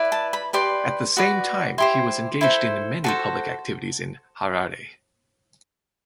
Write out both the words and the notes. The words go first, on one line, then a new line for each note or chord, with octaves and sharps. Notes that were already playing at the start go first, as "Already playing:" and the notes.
At the same time he was engaged in many public activities in Harare.
Already playing: E4 B4 D5
A5
B5
G4 B4 D5 C6
F#4 B4 D5
E4 G4 C5 C6
E4 A4 C5
F#4 A4 C5 A5